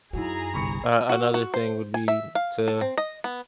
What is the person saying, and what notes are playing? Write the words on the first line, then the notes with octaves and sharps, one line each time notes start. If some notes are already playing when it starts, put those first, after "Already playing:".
uh, another thing would be to,
F#2 F#3 D#4 E4 G#4 A#5
G1 C2 B5 C#6 C#7
F#4
F#4
C5
G#5
E5
F5
A4
C4
D#5
B3